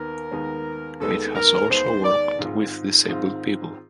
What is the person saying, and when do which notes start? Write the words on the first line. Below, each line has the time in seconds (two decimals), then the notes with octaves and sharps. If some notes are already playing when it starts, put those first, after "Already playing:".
It has also worked with disabled people.
Already playing: D#2 D#3 B3 A#4
0.32 D#2 D#3 G#3 B3
1.00 D#2 D#3 G#3 B3 A4
1.35 A#4
1.70 D#2 D#3 G#3 B3 C5
2.04 D5
2.39 G#2 D#3 G#3 C4 F4
3.08 G#2 D#3 G#3 C4 F4